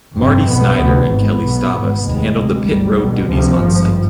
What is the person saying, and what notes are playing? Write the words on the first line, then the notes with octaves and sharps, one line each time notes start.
Marty Snider and Kelli Stavast handled the pit road duties on site.
G1 F2 C3 C4
B1 B2 B3
D2 C3
G#1 G#2 B3
B1 B2
G#1 G#2
F1 D#2 G#3
D2 C3
G#1 G#2 G3
B1 B2
D2 C3 F3
G#1 G2